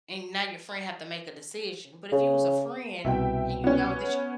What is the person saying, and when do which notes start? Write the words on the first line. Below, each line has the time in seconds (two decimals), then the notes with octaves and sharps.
and now your friend have to make a decision, but if you was a friend and you know that, you
2.12 C#3
3.05 C2 B2 E5 G5
3.64 B3 C#4